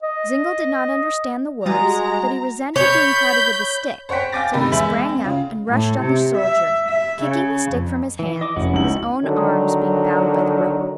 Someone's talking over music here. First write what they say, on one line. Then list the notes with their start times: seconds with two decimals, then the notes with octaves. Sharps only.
Zingle did not understand the words, but he resented being prodded with the stick, so he sprang up and rushed on the soldier, kicking the stick from his hands, his own arms being bound by the rope.
0.03 D#5
1.66 G3 G#3 F#4 A#5 D#6 A6
2.76 C#5 B5 G6
4.09 C5 C#5 F#5 G5 B6
4.32 F5 G5 G#5 D6 A6 A#6
4.53 G2 C3 D#3 D#4
4.72 E2 G#3 E5 F#7
5.09 C4
5.24 C#3 F4
5.68 A2
6.00 C3
6.38 E5
6.86 E5
7.22 C#3
7.71 F2
8.19 E3
8.41 D#5 D6
8.56 F1 C#4 E4 F#4
8.73 C#2 D#4 F#7
9.23 D3 D#3 F#3